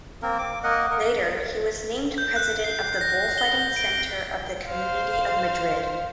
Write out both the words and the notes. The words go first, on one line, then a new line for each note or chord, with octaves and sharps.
Later he was named President of the Bullfighting Center of the Community of Madrid.
A#3 C4 A#4
D6
A#3 A#4 D#5 F#5
A#4
G6
F#6
C7
A#6
G7
D7
C5 F5